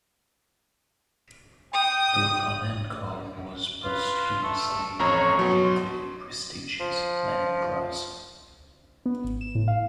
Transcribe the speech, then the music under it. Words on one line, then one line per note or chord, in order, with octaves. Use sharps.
Brukhonenko was posthumously awarded the prestigious Lenin Prize.
G5 D#6
F4 B4
A3 A5
A1 F2 C#5 A#5 C#6
B2 F#3 C#5
C6
F3
B3
G#1
E7
A2
F5